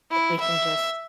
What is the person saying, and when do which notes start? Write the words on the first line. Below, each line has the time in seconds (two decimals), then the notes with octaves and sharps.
if we can just
0.11 E4
0.40 E5